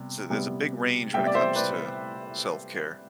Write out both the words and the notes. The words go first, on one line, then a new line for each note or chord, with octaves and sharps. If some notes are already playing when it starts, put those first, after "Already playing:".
so there's a big range when it comes to self-care.
Already playing: C3 G3 B3
C3 G3 B3
C3 G3 B3 E5 G5
D5
C5 E5
B4 D5